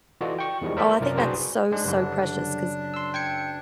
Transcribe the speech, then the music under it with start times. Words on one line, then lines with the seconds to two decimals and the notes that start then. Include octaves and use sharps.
oh, I think that's so, so precious 'cause,
0.21 E3 F4 F#4 A4 D5 D#5
0.39 G5 C#6
0.62 E2 D#3 F3 G3 G#3
0.77 A#4 C5 D5 E5 A5 A#5
1.00 C2 F#2 F4 A#4 D5
1.18 B1 D4 F#4 G#4 B4 C5
1.72 G#2 G#3 D4
1.84 F#1 D3 G3
2.94 C6 E6
3.14 G5 G#6 C#7